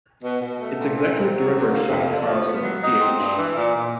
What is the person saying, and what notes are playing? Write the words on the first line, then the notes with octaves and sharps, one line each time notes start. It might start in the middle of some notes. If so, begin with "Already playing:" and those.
Its Executive Director, Shawn Carlson, Ph.
B2
B2
A3
A#2
C4
C4
F#3
D3
A#3
F2
D3
F3
B3
F#3
D#4
C4
G2
E3
A#2
A#2